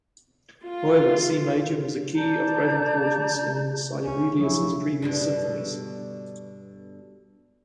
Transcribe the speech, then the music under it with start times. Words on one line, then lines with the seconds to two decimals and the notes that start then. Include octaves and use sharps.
However, C major was a key of great importance in Sibelius's previous symphonies.
0.66 F4
2.16 D5 A5 A#5 G6
4.05 C#2 C#4
4.39 C#3 F3 F#3 E4 C#5
5.02 G2 B2 D3